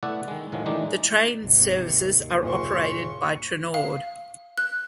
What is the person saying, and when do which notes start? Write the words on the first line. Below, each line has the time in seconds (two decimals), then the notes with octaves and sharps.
The train services are operated by Trenord.
0.03 A3 B3 E4 D5 F#5
0.28 D#3 G#3
0.52 A2 D#3 F3 F#3 G#3
0.66 D#3 E3 G#3 A3 D4 D#4
1.42 G#1 D#2 C3
1.91 D#2
2.43 F#1 A#2 C5 C6 C#6
3.74 F5
4.58 F#6